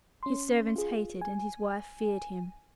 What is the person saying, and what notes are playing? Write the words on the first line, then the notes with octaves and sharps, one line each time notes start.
His servants hated, and his wife feared him.
C#4 C6
F4 G#4
G#5